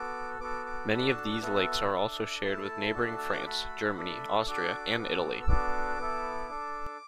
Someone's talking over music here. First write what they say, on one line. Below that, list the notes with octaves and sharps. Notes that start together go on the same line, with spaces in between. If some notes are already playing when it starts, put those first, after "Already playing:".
Many of these lakes are also shared with neighboring France, Germany, Austria, and Italy.
Already playing: B3 F#4 A4 D6
B3 F#4 A4 D6
D6
D4 F#4 A4 B5
A5
F#5
B3 F#4 A4 E5
D4 A4
A3 E4 A4 A5
A3 D4 F#4 A4
E6
D6
A3 F#4 A4 B5
A3 D4 A4
D4 F#4 A4 D6
B3 F#4 A4
E6
B3 D4 F#4 A4 D6
B3 E4 A4
D4 A4